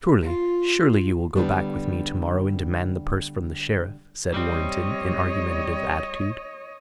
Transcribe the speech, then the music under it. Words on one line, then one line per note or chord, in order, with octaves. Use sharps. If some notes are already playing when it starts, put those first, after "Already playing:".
"Surely, surely, you will go back with me to-morrow and demand the purse from the Sheriff?" said Warrenton, in argumentative attitude.
F4
D3 G3 B3 D4
G3 C4 C#5 D#5